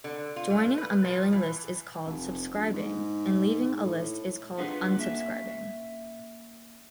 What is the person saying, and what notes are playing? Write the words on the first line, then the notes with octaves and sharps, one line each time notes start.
Joining a mailing list is called "subscribing" and leaving a list is called "unsubscribing".
D3
F4
A3
B4
F3
E3
F1
A#1
G#2
A2
B3 D4 D#4 F4 G#4 B4
A#3 C#4 E5